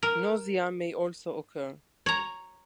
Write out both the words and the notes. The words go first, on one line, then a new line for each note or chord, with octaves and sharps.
Nausea may also occur.
A#4
C#5 A#5